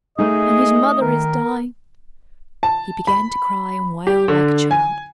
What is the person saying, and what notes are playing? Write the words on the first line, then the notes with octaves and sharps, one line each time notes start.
And his mother is dying!' He began to cry and wail like a child.
A3 D#4 G#4 D#5
D#3 A#4
A5
B5
G4
D3
G#5